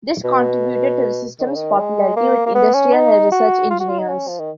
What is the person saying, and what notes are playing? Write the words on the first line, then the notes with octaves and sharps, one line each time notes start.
This contributed to the system's popularity with industrial and research engineers.
B2
D#3
C#3
D#3
G#3
A#3
A#3
B3
C#4
D#4
F#4
F4
F#4
F4
D#4
C#4
F3
D#3